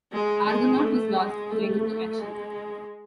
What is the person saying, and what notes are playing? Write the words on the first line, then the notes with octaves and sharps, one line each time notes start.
"Argonaut" was lost to enemy action.
G#3
G#3
A3
G#3
A3
G#3